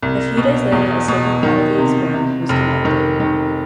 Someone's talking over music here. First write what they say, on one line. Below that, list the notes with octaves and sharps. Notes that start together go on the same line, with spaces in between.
A few days later a second part of the experiment was conducted.
C2
B2
E2
B2
D#3
C3
C3
F1
D#3
D#3